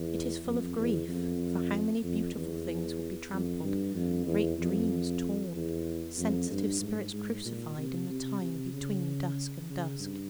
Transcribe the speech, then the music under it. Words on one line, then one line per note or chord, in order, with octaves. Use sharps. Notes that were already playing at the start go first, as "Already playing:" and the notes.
It is full of grief; for how many beautiful things will be trampled, great dreams torn, sensitive spirits crucified in the time between dusk and dusk?
Already playing: E2
F2
E2
F2
F2
E2
F2
G2
F2
E2
F2
E2
F2
G2
G#2
G#2
A#2
C3
C3
C3
C#3
C#3
G2